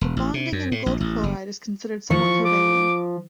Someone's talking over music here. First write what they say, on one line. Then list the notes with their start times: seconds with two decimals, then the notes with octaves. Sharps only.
The bonding in AuCl is considered somewhat covalent.
0.01 E1
0.17 A1
0.34 C3
0.52 F#2
0.72 A2
0.86 A#1
1.01 A1
1.23 F#1
2.10 F3 C#6
2.45 D6